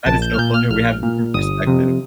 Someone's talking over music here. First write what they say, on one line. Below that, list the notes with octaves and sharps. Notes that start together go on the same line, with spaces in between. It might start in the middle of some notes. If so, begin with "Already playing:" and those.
That is so funny. We have different perspectives.
A#1 A5
G6
F6
A#2 G6
F6
A#1 F6
A#2
G1 D#6
F2 C3